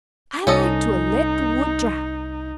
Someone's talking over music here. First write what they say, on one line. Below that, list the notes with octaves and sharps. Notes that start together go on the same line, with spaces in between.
I like to 'a' let de wood drap!
C2 C#4 D#4 A4 D#5